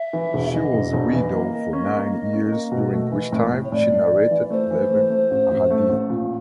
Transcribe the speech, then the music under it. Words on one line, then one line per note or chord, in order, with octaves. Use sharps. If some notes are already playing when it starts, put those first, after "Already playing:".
She was a widow for nine years, during which time she narrated eleven "ahadith".
Already playing: E5
E3
E1
E3 D#5
E1
E1
E3
A#3 D#5
A#3
C#4
A#3
A#3
C#4
A#3
B2
A3
E3
A2
A2
C#5
A2 D5
A2
E3
E3
A3 C5
E3
A3
A3
A1
A1
A3
A1
A#2